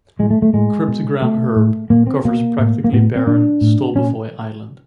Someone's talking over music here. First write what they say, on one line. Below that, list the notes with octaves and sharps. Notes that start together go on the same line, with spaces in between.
Cryptogam herb covers practically barren Stolbovoy Island.
A2 G#3
A3
A3
A2 G#3
B2
B2 A3
A2
A#2 A#3
C4
B2 A#3
A2
A#3
A2 B3
C4
A#2 D4
A2
A#2 C#4